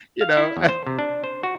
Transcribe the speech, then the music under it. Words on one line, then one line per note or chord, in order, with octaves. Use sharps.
you know. Uh
F5
E4
E2
C5
C3
D4
C5
F#4